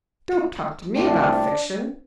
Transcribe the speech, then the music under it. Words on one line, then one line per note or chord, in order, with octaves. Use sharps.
Don't talk to me about fiction!
C2 A#2 A3 C4 D4